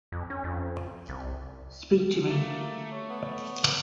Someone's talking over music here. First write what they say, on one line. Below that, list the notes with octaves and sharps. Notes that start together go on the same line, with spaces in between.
Speak to me.
F2
C#4
F2
C2
A3 A#3
C#5
B3